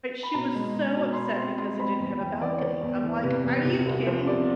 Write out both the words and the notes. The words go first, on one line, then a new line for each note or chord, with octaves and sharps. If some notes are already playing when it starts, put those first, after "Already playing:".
but she was so upset because it didn't have a balcony. I'm like, "Are you kidding?"
B5
B2 A#5
G#3
B2
B2
C6
B2 B5
C4 C6
G#3 C6
C4 B5
E2
E2 G5
E3 D5
C#5
E3 C5
E2
E3
C3 B4
E2
C3
C2
F3 C5
C2 D5